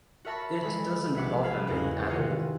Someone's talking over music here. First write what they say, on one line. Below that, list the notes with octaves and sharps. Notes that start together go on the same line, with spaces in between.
It doesn’t bother me at all.
F#4 A#4 E5 A5 B5 C#6
E3 F3 G#3 A4 B5
A#1 C3 E5 F#5 D6
A4 F5 B5 G#6
F#1 E2 G#2 A#3
C3 D#3 E3 D#4 F4 F#4